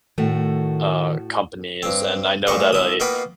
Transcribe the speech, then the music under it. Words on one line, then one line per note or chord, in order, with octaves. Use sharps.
uh, companies and I know that a,
A2 D#3 A3 F#4
G2 C4
A1 A#2 G3 D#5 C#6
C2 E4 D#6
B2 A#3 D#4 F4 G5 B5